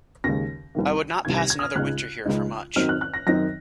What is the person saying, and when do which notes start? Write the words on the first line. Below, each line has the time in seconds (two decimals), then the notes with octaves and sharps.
I would not pass another winter here for much.
0.24 D#2 C#3 G#3 A#6
0.75 C2 C3 D#3
1.25 C2 C3 D#3 G#6
1.38 A#6
1.50 G#6
1.59 D#6
1.63 F6
1.75 C#2 C#3 G#3 D#4 F#6
2.26 C#2 C#3 G#3 D#4
2.76 F#2 D#3 F#3 C4 D#4 F6
2.89 F#6
3.01 F#6
3.14 A#6
3.27 F#2 D#3 F#3 C4 D#4 A#6